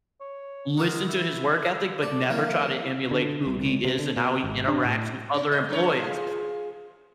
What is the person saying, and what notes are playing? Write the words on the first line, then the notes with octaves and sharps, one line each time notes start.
"Listen to his work ethic, but never try to emulate who he is and how he interacts with other employees,"
C#5
G#3 F#4 A#4
E4
A4 D5
E3 F#3 A#3 F5
D3
C2
C#2
C3
D3
B2
G#1
D4
A2
C#4
D#5
F#2 A2 C#5
F4 G#4